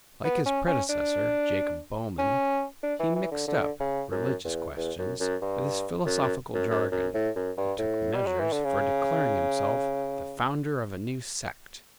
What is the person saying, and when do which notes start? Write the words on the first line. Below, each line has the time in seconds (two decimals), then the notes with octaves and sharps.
Like his predecessor, Jacob Boehmen, he mixed up religious questions with his philosophical jargon, and took measures for declaring himself the founder of a new sect.
0.25 B3
0.46 C#4
0.67 C#4
0.89 D4
2.19 C#4
2.83 D4
2.99 E3
3.16 E3
3.31 D3
3.48 D3
3.80 C#3
4.12 F#2
4.45 E2
4.77 E2
4.99 F#2
5.20 F#2
5.42 G2
6.06 F#2
6.22 F#2
6.54 F#2
6.71 F#2
6.92 F#2
7.14 A2
7.36 F#2
7.58 G2
7.79 A2
8.15 G3
8.27 F#3
8.40 E3
8.52 D3
8.65 C#3